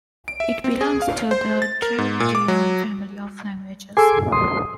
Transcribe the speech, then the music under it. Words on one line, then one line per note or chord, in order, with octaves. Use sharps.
It belongs to the Dravidian family of languages.
D7
E5
C4
G#4
F5
C5
A6
A#4
G#2
A#2
D6
F#3
G#4 A4 G#5 C6 D6 E6
C6 D#6